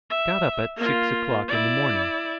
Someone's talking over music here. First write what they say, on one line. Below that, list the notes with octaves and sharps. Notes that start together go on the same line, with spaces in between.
I got up at six o'clock in the morning.
E5
A#3 F4
E4 D5